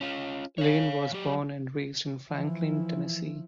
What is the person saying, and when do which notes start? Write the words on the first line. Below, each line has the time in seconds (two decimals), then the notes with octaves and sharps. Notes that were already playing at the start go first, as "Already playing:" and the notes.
Lane was born and raised in Franklin, Tennessee.
0.01 C#4 F4
0.58 C#5 F5
1.13 F#3 G4
2.31 E3 F3 E4